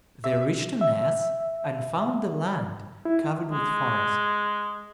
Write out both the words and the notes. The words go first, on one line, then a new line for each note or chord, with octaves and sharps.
They reached a ness, and found the land covered with forest.
E5
E5
E4
G#3